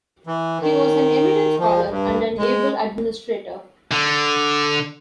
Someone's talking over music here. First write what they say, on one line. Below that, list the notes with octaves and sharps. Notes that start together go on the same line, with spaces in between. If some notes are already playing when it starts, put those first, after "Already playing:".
He was an eminent scholar and an able administrator.
E3
D#3
F3
G2
G#3
D3